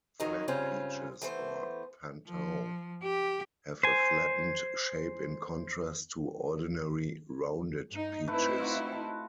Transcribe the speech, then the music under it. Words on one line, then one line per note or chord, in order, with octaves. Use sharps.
Flat peaches or "pan-tao" have a flattened shape in contrast to ordinary rounded peaches.
F2 D#3 F#3 B3 C#4 D#4
G2 C#3 C4 C#4 F4
E3 A3 B3 C5
F3
G4
C5 G#5
G2 D#4
A3 C4 D#4 E4 B4
F4 F#4
A5